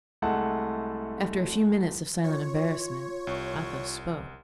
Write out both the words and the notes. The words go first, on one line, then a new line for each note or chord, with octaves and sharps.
After a few minutes of silent embarrassment, Athos spoke.
C2 G#3 A3 F#5 A5
F4 C#5
C2